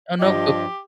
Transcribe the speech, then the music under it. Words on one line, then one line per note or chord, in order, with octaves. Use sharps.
Oh no, go
G2 F3 G4 D#5